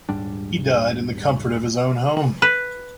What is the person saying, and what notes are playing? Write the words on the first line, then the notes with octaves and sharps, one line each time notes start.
He died in the comfort of his own home.
D#1 G#2 G3 D4
B4